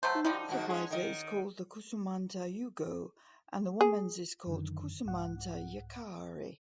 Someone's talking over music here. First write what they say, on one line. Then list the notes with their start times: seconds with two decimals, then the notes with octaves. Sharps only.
The man's advisor is called the "khoussoumanta-yougo" and the woman's is called "khoussoumanta-yakhare".
0.03 F#3 A3 C5
0.24 D3 F3 G3 D#4
0.49 G#2 D#3 F#4
0.68 G#3 C#4 G#4
0.91 D#3 D#5
3.81 G#4
4.47 F#2 D3 D#3
5.05 C2 G#2 F#5